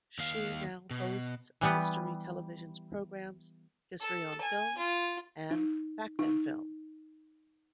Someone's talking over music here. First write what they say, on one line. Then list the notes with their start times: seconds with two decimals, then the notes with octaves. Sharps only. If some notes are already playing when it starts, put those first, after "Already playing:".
She now hosts History Television's programs "History on Film" and "Fact and Film".
0.19 D#2 F5
0.91 B2
1.61 E3 G3 B3
4.01 A4
4.41 G#5
4.78 F4
5.51 D#4
6.19 D#4